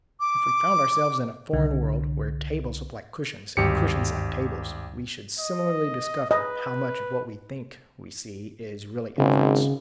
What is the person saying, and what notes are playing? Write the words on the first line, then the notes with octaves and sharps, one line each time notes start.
If we found ourselves in a foreign world, where tables looked like cushions and cushions like tables, we should similarly discover how much of what we think we see is really inference.
D6
C2 D3
G#1 D2 G2 G4 C#7
D#5
B4 D#5
G#1 C#3